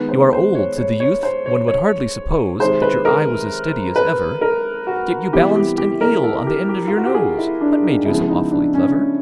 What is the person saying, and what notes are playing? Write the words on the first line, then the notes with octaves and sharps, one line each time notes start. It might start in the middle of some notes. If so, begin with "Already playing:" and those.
'You are old,' said the youth, 'one would hardly suppose That your eye was as steady as ever; Yet you balanced an eel on the end of your nose-- What made you so awfully clever?'
Already playing: D#3 G#3 B3 B4
C5
C5
C#5
C#5
C#5
C5
C#5
C#5
C3 D#3 G#3 C5
B4
A#4
B4
A#4
F#4
C3 E3 G3 B3 G4
G4
G4
A#4
A4
G4
G4
F4
F#4
G4
G#4
E4
D4
D#4
C#3 F3 G#3 B3 E4
D#4
D4
C#4